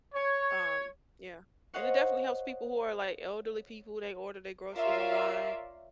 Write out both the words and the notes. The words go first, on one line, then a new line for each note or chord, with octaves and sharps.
um, yeah, and it definitely helps people who are like elderly people, they order their groceries online.
C#5
C5 C#5 D#5 F5 F#5 C#6
F4 A#4 C#5 D5 E5 F5